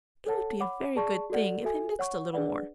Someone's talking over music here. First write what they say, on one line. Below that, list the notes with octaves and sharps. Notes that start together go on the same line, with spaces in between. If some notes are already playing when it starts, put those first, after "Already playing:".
It would be a very good thing if they mixed a little more.'
A4 C#5 F#5 A5
C#5 F#5 B5 D6
G#4 D5 A5 C#6
F#4 A4 D5 F#5
F#4 A4 E5 G#5
C#5 F#5 C#6
D4 G#4 B4 D5 F#5